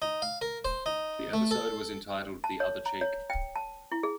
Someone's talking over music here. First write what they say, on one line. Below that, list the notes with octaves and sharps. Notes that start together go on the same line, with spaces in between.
The episode was entitled "The Other Cheek".
D#4
F5
A#4
C5
D#4
A3
A4
A5
C#5
A#5
C#5
G5
A5
E4
G#4